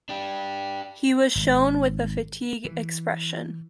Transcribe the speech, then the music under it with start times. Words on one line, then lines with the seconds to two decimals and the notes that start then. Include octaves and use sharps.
He was shown with a fatigued expression.
0.09 D4 G4
1.35 G#1
2.65 E3